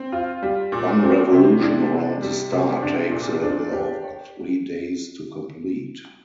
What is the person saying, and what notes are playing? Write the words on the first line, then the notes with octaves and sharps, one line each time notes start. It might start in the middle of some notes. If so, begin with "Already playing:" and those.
One revolution around the star takes a little over three days to complete.
Already playing: C4
F4
G3
A#2
C4
C3
D4
C3
G3
C3
D4
A#2
D4
G4